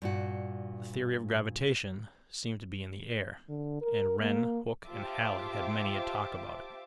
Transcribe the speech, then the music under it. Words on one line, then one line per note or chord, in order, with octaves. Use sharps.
The theory of gravitation seemed to be in the air, and Wren, Hooke, and Halley had many a talk about it.
G2 A#2 F#4
D3
A#4
A#3
F4 G4 C5 E5 A5 D6